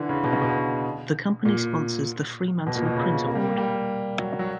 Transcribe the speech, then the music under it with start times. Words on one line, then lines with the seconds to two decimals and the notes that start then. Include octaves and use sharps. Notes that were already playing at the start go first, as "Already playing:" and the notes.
The Company sponsors the Fremantle Print Award.
Already playing: D3 E3
0.09 C#3
0.24 B2
0.32 C#3
0.42 B2
1.45 A#2
2.67 B2
2.76 A#2
2.85 B2
2.96 C#3
3.27 A#3
3.35 G3
3.44 A#3
3.58 G3
4.18 F#3
4.39 F#3